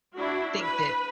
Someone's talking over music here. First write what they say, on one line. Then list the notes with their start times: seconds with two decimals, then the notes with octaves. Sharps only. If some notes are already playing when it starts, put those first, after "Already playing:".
think that
0.16 D4 E4 F#4
0.60 B4